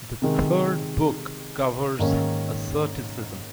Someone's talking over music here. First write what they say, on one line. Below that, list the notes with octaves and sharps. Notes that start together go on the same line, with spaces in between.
The third book covers asceticism.
C3 D#3 G#3
G#2 D#3 A#3 C#4